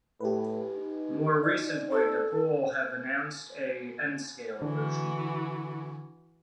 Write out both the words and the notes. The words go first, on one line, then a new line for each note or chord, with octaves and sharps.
More recently, Dapol have announced a N Scale version.
A2 G4 B4
D#4
D5
A4
D3 E3 F#4